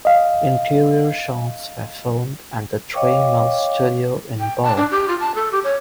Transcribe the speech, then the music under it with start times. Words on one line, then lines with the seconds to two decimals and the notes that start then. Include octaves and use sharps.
Interior shots were filmed at the Three Mills Studios in Bow.
0.05 D#5 F5
2.94 C#5 D#5 F5 G5 C#6 D6
4.39 G5
4.63 A5
4.77 D4
4.91 G4
5.09 F4
5.20 A5
5.35 A4
5.52 G4
5.64 C#5